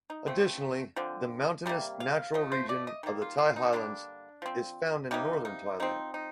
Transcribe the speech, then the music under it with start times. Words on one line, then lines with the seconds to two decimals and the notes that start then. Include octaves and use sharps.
Additionally, the mountainous natural region of the Thai highlands is found in Northern Thailand.
0.10 D#4
0.27 F3 A3 C4
0.96 D3 F3 C4
1.66 C3 G3 A#3
2.00 F5
2.34 F3 A3 D#5
2.52 C5
2.69 D5
2.87 D#5
3.03 D#3 G3 A#3
3.22 F4
3.38 F4
3.56 D#4
3.73 D3 G3 A#3 D4
4.42 F3 C4
5.11 C3 G3 A#3 D#4
5.45 D#4
5.80 F3 C4 D#4
6.14 D#4